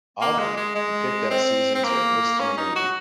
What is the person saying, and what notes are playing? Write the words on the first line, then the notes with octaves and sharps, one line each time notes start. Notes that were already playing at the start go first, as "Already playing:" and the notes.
Oddly, he picked that season to enlist in the Navy.
A#3
G#3
G#3
G#3
C4
C4
A#3
C#4
D#4
F#4